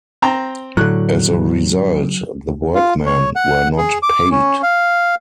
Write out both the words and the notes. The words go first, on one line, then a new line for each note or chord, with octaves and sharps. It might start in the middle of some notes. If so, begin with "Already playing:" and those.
As a result, the workmen were not paid.
C4 G5 A#5
A2 D3 F#3 F#6
F4
C#5
F#5
G#4
D6
C#4
F5